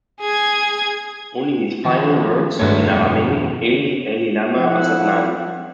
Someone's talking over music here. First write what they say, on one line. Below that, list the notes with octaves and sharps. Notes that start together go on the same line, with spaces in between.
Only his final words, in Aramaic, Eli, Eli lama asabthani?
G#4 G#6
D#3 F3
G2 G#3 A3 F#4 B4 C#5
F2 B2 D#3
F3 A3 E4 F#5